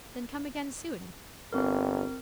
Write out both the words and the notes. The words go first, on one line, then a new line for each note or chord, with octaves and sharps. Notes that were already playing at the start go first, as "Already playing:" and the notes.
Then come again soon.
G1 C4 A#4